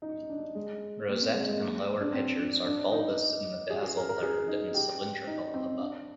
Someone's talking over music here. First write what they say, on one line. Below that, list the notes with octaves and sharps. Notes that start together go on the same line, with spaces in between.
Rosette and lower pitchers are bulbous in the basal third and cylindrical above.
D#4
D4
G#3
A#3
C4
G#3
G#3
A#3
D4
C4
D4
D4
D#4
G#4
G#4
A#4
A#4
G#4
D#4
G4
G4
D#4
C4
D4